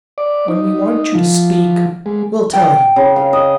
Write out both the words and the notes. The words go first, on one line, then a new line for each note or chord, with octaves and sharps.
"When we want you to speak we'll tell you."
D5
D#4
F3
G#3
G5
C#3
F5
D#5